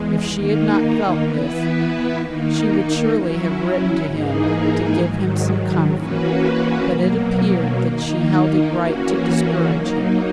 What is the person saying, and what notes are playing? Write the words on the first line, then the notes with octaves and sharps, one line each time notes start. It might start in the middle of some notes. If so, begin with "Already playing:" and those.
If she had not felt this, she would surely have written to him to give him some comfort; but it appeared that she held it right to discourage him.
Already playing: E2 G#3
D#3 A#3 D#4
E3 B3 E4 B4
D#3 A#3 D#4
F#3 C#4 E4
G#2 E3 A#3 D#4 G#4
G#2 D#3 F#3
E3 A#3 C#4 F#4 B4
B2 F#3 A#3
D#3 A#3 D#4
E3 A#3 C#4 F#4
F#3 A#3 D#4